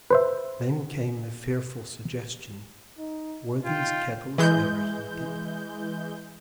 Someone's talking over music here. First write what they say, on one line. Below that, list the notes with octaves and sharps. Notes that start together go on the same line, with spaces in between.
Then came the fearful suggestion, were these kettles ever heated?
B4 C5 E5
D#4
D#4 F4 G5
E3 G#3 G6